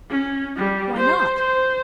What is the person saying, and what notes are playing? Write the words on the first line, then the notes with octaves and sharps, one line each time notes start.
Why not?
C#4
G3
C5
C5